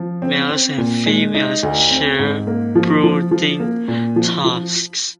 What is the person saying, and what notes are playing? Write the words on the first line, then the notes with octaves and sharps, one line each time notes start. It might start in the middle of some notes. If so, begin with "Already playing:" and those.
Males and females share brooding tasks.
Already playing: F3
C4
C4
A#2
G#3
D#4
D2
C4
G#2
A#3
F3
F3
F3
A#3
A#2
F3
F3